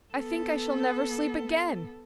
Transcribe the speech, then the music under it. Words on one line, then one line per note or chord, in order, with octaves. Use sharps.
I think I shall never sleep again.
B3 A4